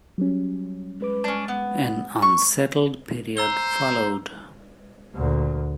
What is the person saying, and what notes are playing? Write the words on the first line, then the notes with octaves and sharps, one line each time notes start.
An unsettled period followed.
F#3 G3 C#4
G#3 B4 D6
C#4 D4
B3
C#6
C5 A#5 E6 G7
D2 A#2